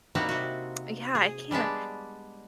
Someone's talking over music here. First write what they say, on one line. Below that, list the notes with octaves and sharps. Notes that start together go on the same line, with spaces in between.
yeah, I can't
G3 A#3 C4 D#4 E4 F#4
C3 F#4
G#4
G3 G#3 B3 D4